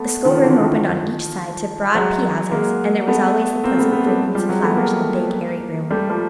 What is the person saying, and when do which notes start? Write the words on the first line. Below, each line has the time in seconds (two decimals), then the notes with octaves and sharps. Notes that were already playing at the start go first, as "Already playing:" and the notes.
The schoolroom opened on each side to broad piazzas, and there was always the pleasant fragrance of flowers in the big airy room.
Already playing: A3 B3
0.24 D#3 F3
0.35 F3
0.43 D3 E3
0.62 D#3 F3
1.95 F#3 G#3
2.52 G#3 A#3
3.08 A3 B3
3.64 A#3 C4
3.78 A3 B3
3.92 A3 B3
4.06 G3 A3
4.25 G#3
4.35 F3 G3
4.49 F#3 G#3
4.63 A3 B3
4.77 G#3 A#3
5.91 G3 A3
6.10 F3 G3